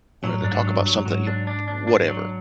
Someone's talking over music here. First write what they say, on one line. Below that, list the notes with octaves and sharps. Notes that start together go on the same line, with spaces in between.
wanted to talk about something, you whatever.
A2 F#3
G2 D4
G#2
F#3
G2
F#3
G#2 F#3
D4
D4
D4
D4
F#3